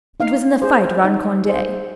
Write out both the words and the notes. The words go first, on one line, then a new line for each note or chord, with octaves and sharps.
It was in the fight round Conde.
D#4 F5
G#4 C5
D#4
G#4 C5